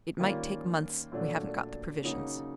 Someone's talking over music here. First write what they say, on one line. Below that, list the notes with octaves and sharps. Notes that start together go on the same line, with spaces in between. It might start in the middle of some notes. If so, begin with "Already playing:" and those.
It might take months--we haven't got the provisions.
D#3 G3 A#3 C#4 F4
A#2 F#3 A3 D4
C#3 F#3 A#3 D#4